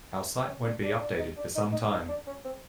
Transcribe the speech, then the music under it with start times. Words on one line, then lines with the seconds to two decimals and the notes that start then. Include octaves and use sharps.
Our site won't be updated for some time.
0.47 C#4
0.65 D4
0.83 D4
1.01 D4
1.19 D#4
1.37 D4
1.55 D#4
1.73 D#4
1.91 D#4
2.08 D4
2.27 C#4
2.45 C4